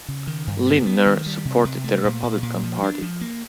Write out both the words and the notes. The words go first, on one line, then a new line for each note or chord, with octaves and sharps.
Lindner supported the Republican Party.
C#3
D#3
G2
B3
B3
D#3
G3
C3
C3
A3
A#2
A#2
A#2
F3
D4
F3
A#3